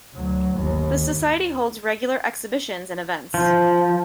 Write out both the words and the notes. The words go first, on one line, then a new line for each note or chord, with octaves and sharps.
The society holds regular exhibitions and events.
D2 F#3
G1 D#2
F3